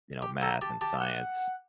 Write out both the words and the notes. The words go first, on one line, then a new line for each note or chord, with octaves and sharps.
you know, math and science.
G4
A4 A#5
G4 A5
G4 A5
F#5